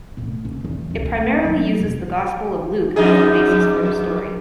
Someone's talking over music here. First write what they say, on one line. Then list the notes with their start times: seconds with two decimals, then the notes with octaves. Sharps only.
It primarily uses the Gospel of Luke as the basis for the story.
0.17 E1 A2
0.45 G#2 C#3
0.64 E2
0.91 E1 C#2
1.45 F#3 A#3
1.80 E1
2.96 F2 D#4 G#4